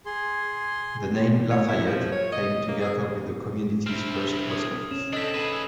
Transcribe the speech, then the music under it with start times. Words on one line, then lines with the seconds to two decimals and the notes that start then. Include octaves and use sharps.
The name "LaFayette" came together with the community's first post office.
0.06 G#4 C6
1.51 C#5
1.68 E4
1.86 F3
2.12 C#5
2.32 D#5
2.68 A#3
2.81 G#4
3.87 C4 D4 E4 F6
4.50 D#6 G#6
4.91 C#4 E7
5.13 C4 D4 A4 D#5 D#6 E6 B6
5.34 G#4 B4